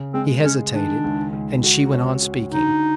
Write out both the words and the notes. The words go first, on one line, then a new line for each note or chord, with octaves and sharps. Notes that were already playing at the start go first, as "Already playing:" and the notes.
He hesitated--and she went on speaking.
Already playing: C#3
G#3 C4
G#3 C#4
D#3 D4
C#2
C#2
F#4
C#4
F#4
D3 D#4